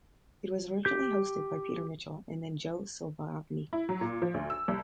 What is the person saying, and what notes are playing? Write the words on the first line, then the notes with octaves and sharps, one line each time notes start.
It was originally hosted by Peter Mitchell and then Jo Silvagni.
G4 G6
E4
F#3
A#2
F3
D2
E6
C2